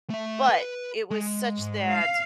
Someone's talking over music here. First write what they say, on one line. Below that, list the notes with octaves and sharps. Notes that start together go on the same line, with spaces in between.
But it was such that
A3 E5
B4
G#3
G#2
F5